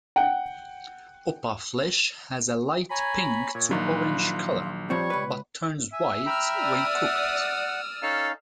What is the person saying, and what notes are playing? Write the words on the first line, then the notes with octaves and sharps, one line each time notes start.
Opah flesh has a light-pink to orange color, but turns white when cooked.
F#5 G5
C#5 G#5 A#5 B5
A#2 C#5
A#1 A#2 D#3 F#3 F4 B4
F3 G3 C4 C#5 C#6
C#2 B4
E5 G#5
G5 A#5 B5 E6 F6
D5 D#6
F#5
C#4 D#4 A4 F5